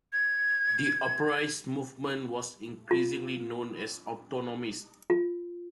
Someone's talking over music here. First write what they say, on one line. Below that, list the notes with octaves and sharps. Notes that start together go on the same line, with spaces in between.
The "operaist" movement was increasingly known as autonomist.
G#6
F4
F4